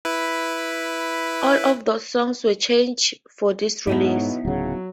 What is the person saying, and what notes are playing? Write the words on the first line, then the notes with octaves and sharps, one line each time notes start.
All of those songs were changed for this release.
E4 B4
G#2 B2 F#3 B3 D#4 E4
D1 C#3 F#3